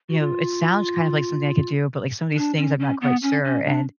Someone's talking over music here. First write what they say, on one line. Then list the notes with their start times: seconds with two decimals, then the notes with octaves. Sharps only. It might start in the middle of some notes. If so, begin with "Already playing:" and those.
you know, it sounds, kind of like, something I could do, but, like, some of these things I'm not quite sure, and
0.10 F#4
0.19 F4
2.37 D4
2.57 C#4
2.80 C#4
3.01 B3
3.22 C#4
3.45 C#4
3.66 D4